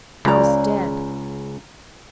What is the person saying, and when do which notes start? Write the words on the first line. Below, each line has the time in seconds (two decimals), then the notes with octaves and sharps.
He was dead.
0.25 C#2 C#3 D5 A#5